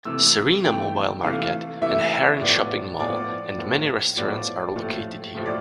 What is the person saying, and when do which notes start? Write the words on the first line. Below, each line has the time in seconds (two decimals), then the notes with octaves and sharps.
Serena Mobile Market and Haron Shopping Mall and many restaurants are located here.
0.05 C3 E3 A3 E6
0.64 C3 E3 A3 G5
1.23 C3 E3 A3 F5
1.81 C3 E3 A3 E5
2.41 A2 F3 B3 D5
2.99 A2 F3 B3 D5
3.58 A2 F3 B3
4.17 A2 F3 B3 D5
4.76 A2 F3 A3
5.35 A2 F3 A3
5.46 D5